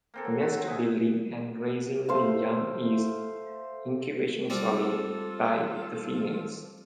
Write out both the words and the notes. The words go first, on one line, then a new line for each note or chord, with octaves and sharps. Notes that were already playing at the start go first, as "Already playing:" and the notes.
Nest building and raising the young is incubation solely by the females.
A#3 C4 A4
F#3
F#4
C4
D#5 E5 G#5
A3 C5 F5
G3 C4 F4 A4